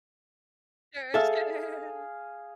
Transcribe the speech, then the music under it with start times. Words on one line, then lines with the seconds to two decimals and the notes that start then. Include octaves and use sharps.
Sure, sure.
1.14 G#4 A4 E5 F5